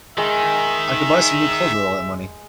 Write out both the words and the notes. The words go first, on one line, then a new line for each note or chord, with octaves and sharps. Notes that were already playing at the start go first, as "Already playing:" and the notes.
I could buy some new clothes with all that money.
D#3 G#3 E5